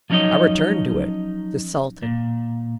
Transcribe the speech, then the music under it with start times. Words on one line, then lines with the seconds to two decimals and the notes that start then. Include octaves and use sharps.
I returned to it--the Sultan.
0.10 F3 F#3 C#4 D#4 C#5 D#5
2.03 A#2